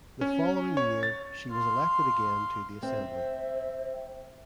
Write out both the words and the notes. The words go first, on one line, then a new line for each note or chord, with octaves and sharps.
The following year she was elected again to the Assembly.
C#4
C#5
A6
F5 C6
C4 C5 E5